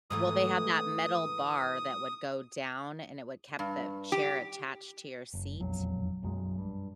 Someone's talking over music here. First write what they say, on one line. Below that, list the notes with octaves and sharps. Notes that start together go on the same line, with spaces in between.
Well, they have that metal bar that would go down, and it would kept the chair attached to your seat?
G#2 E3 A3 D#6
G2
G4
F#1
E1 A#1 F2 F#3
B1 F#2 F#3 G#3
G2